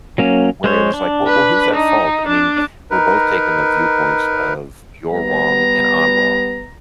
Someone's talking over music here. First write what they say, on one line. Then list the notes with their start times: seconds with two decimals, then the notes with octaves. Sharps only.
where it was like, well well, who's at fault? I mean, we're both taking the viewpoints of you're wrong and I'm wrong,
0.18 F#3 A#3 C#4
0.64 G#3 C5 C#5
0.94 D4
1.27 B4
1.74 D#4
2.27 D4
2.91 D#4 A#4 B4
5.12 G3 B3 A#5